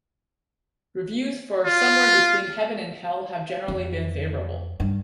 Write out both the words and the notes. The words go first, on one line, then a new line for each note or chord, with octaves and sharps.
Reviews for "Somewhere Between Heaven and Hell" have generally been favorable.
F4
F2
G2